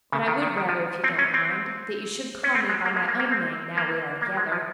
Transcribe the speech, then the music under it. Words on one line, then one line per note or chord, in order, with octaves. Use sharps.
But I would rather, if you don't mind, that you should call me by my own name now we are together.
C#3
D#3
D#3
D#3
F3
C4
C#4
C4
C#4
C4
G#3
A#3
G#3
A#3
A#3
C4
A#3
A#3
G#3
F3